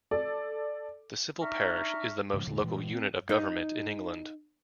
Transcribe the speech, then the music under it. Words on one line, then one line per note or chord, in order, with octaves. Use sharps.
The civil parish is the most local unit of government in England.
A4 D5
D4 D#4 E5 A#5 C#6 F6
G#2 C#3 F3
E2 A#2 D3
A#2 E3 F3 G#3
C4
D#4